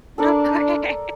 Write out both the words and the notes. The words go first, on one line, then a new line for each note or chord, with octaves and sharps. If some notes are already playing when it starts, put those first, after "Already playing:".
Oh, okay.
D4 A4 A#4 D5